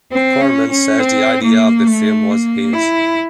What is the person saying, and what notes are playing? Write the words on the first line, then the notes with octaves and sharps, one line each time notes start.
Corman says the idea of the film was his.
C4
C#4
C#4
C4
A#3
A3
A#3
E4